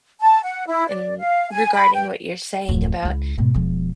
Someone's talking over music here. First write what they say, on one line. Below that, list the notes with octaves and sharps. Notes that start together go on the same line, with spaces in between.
and regarding what you're saying about,
A5
F#5
E4
D5
F5
G#5
B5
G5
D1 F2
C#2 E4
G#2 B2
E1 F3